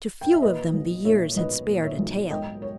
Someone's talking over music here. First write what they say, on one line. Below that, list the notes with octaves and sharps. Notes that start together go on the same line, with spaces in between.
To few of them the years had spared a tail.
G5
E5
A#2 B4 D#5
B1
A#2 C#5 E5
B1 B4 D#5
A#2
C#5 E5
B1
G#2 D#5 G5
C#5